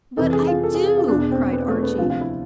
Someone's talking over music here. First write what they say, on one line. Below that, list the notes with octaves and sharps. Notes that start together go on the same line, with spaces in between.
"But I do," cried Archy.
F2 C3 E3 A4
G#4
F4
A4
G#4
G#4
F4
E2 B2 D4
C4
B3
A3
B3
D2 C3 F3 F4
F4
E4